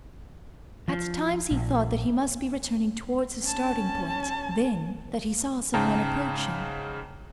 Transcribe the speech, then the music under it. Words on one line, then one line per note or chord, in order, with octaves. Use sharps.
At times he thought that he must be returning towards his starting-point; then, that he saw some one approaching.
F3
A#1
C#4 A5
G#2 C#3 G5 A5 A#5